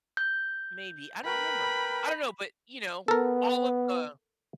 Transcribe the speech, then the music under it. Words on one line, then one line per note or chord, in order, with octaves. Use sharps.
Maybe. I don't remember. I don't know, but, you know, all of the
G6
A#4 B4 G5 B5
B3 A4 A#4